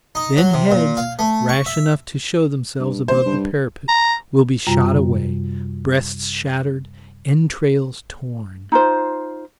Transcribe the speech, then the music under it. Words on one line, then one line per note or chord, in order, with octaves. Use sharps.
Then heads, rash enough to show themselves above the parapet, will be shot away, breasts shattered, entrails torn.
D#4
F#3
C3
A#2
F5
A3
C#6
E5
G2
A1 C5
G2
A#5
F#2 C3 G3 F4 A#5
D#4 F4 C5